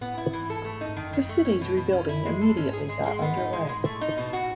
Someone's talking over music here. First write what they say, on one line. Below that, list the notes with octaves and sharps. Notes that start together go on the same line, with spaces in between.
The city's re-building immediately got underway.
A2 B3
E4
G#2 E3
A4
A3
D#4
G#2
F#2 D#3
D#3
A3
C#4
B2
B2
F#2 C#4
E4
G#3
A4
F#2
G#2 C#4
G#4
G#3
G#3
B3
D#4
G#2
A2 G#3
B2 G#3
G#2
A2 A3
D#4
B2
F#4